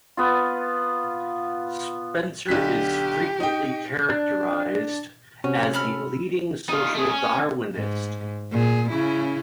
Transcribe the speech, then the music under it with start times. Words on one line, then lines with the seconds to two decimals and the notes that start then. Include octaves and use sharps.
Spencer is frequently characterized as a leading Social Darwinist.
0.17 B3 F4
2.48 B1 D3 G4 B6
3.40 D#4 G5
4.10 D4
5.44 C3 C#4 F#4
5.73 A4 B5 F6
6.69 D#4 F4
6.95 A3 G#4
7.09 C#4
7.75 G#2
8.52 A#2 G#4
8.90 C#3 C#4 E4